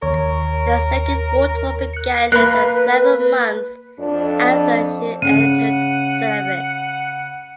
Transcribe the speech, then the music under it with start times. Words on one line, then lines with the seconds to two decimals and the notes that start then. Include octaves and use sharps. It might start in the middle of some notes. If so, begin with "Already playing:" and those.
The Second World War began less than seven months after she entered service.
0.02 D#2 A#4 C#5
1.93 F#6 C#7
2.32 A#3 B4 B5 F#6
3.99 F2 D4
5.22 C#3 F#5 D#7